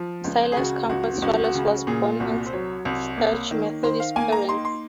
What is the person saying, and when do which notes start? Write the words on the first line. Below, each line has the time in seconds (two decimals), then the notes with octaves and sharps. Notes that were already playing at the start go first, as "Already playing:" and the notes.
Silas Comfort Swallow was born of staunch Methodist parents.
Already playing: F3
0.24 C#2
0.52 G#4
0.57 C#3 F#4
0.89 C#2 F#4
1.22 C#2 F#4
1.44 F#4
1.54 C#3
1.66 F#4
1.87 A#2 G#4
2.04 F4
2.20 C2 F#4
2.46 C5
2.53 F#3 C#5
2.85 C2
3.18 A#3
3.51 D#3
3.83 D#3 C5
4.00 F5
4.16 A#3 G#5
4.32 A#5
4.49 D#4 C6
4.65 C6